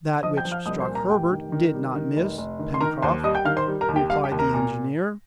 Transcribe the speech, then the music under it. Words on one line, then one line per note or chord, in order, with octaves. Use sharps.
"That which struck Herbert did not miss, Pencroft," replied the engineer.
F3 D#5 D#6
G5 G6
F3
F5 F6
C2 D#5 D#6
C5 C6
A#2
A#4 A#5
F1 G4 G5
D#3
D#3
G3
D#3
F1
F1
D#3
C6
D#3 A#4 A#5
D#2 C5 C6
G3 D#5 D#6
G5 G6
D#3 F5 F6
C5 C6
G3
A#4 A#5
D#2
G4 G5
G3 F5
G4 G5
D#2
A#4 A#5
A#2